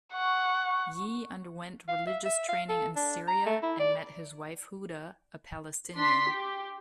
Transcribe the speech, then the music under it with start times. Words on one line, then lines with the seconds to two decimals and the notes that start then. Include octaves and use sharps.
Yee underwent religious training in Syria and met his wife Huda, a Palestinian.
0.13 F#5 C#6
1.88 F5
2.07 E5
2.25 E5
2.49 F5
2.69 A4
2.96 D4
3.28 A#5
3.46 A3
3.63 E4
3.79 D5
5.97 D4 C6 B6 C7
6.30 G4